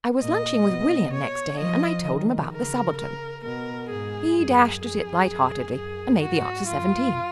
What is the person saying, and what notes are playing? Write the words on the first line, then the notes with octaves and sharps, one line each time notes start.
I was lunching with William next day, and I told him about the subaltern. He dashed at it lightheartedly and made the answer seventeen.
A#2 D#5
B2
C#5
F3 D#5
D#3
C#3 A#4
A#4
B2 A#4
G#2 G#4
F#2
F2 G#4
F#2
F#2 G#4
G#2 F#4
F#2 F4